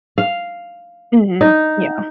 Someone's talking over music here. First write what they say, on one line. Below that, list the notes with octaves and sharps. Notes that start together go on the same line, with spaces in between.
Mhm, yeah.
F5
D#4